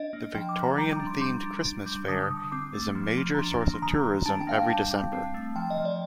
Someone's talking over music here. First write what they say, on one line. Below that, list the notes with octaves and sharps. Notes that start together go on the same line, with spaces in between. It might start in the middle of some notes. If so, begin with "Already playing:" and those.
The Victorian-themed Christmas Fayre is a major source of tourism every December.
Already playing: D4 D#5
A#3
F3 G5
D6
F3
A#5
G3 A#5
D6
D4
C6
G3 C6
D4
D4
G3
D3 D#6
D#6
D3
D#6
C4 D6
A3
F3
F3
A#5
D4 C6
A#3
C6
D#3 A#5
D#3
D4 A5
G5
A#3 F5
G5
G3 A5
G3
C4
A3
F3 G5
D#5
F3
D5